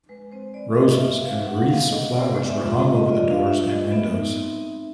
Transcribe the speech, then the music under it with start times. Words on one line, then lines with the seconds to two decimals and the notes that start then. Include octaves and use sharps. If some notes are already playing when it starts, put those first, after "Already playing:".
Roses and wreaths of flowers were hung over the doors and windows.
0.09 G#3 B4
0.32 C4 C5
0.54 G#3 D5
0.76 G#3 D#5
0.94 E5
1.00 G#3
1.10 E5
1.21 C4 F5
1.28 E5
1.44 G#3 F#5
1.57 F#5
1.67 B3 F5
1.89 B3 D#5
2.12 B3 D5
2.35 G#3
2.46 E5
2.57 F4
2.79 G#3 D#5
2.96 D#5
3.02 F4
3.13 D5
3.24 D4
3.30 F5
3.47 F4 E5
3.70 G#3 D#5
3.92 B3 E5
4.14 D#4
4.37 C4
4.59 D#4